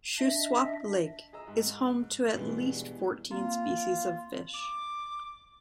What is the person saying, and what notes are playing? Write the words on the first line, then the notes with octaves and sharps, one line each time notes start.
Shuswap Lake is home to at least fourteen species of fish.
D4 D#5 E5
G#4 D#5 A#5 E6
G#2
G2 B2 E3 G3 G#3 E4
A#3 C4 F4
D6